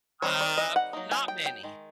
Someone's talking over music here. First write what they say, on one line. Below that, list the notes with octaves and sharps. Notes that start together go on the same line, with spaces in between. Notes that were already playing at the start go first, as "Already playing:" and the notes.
Ah, not many.
D#3 G3 C4 D#4 C#5
D5
D#5
F#5
F#3 A#3 D#4
G#5
G5
G5
D#3 G#3